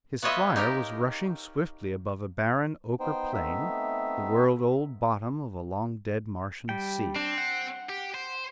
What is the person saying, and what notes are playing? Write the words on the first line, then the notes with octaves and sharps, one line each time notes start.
His flier was rushing swiftly above a barren, ochre plain--the world-old bottom of a long-dead Martian sea.
B3 F4 C#5 D#5 E5
D#4 G4 A#4
B3 D#4 C5 G5
A3 B3 C4 D#4 E5
G3 G5
C4 D4
F#5
G4
C5